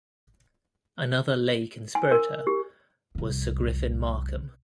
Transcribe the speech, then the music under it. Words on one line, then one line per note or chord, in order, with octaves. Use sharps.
Another lay conspirator was Sir Griffin Markham.
G#5
A#4
G4
C2 F2